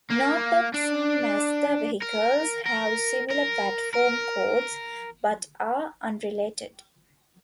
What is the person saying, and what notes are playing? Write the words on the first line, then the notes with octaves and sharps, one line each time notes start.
Note that some Mazda vehicles have similar platform codes but are unrelated.
A#3
D4
A#4
A#4
A#4
A#4